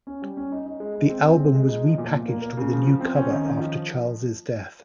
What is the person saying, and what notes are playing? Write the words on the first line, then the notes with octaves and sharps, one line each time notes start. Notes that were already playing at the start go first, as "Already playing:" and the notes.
The album was repackaged with a new cover after Charles' death.
C#4
G3
C#4
D#4
D#4
G#3
D#4
C4
C4
G#3
G#3
D#4
F3
A#2
A#2
A#3
A#3
C#3
F3
F3
C4
C#4
D#3
D#3
F3